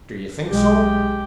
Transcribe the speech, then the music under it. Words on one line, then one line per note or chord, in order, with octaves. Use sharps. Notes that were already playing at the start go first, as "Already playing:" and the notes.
"Do you think so?"
B1 G#3 G4